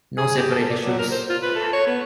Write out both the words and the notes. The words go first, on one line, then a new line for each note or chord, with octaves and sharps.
No separate issues.
G#4
G4
A4
D5
F#3
A#4
C5
F4
B4
A4
C#5
B3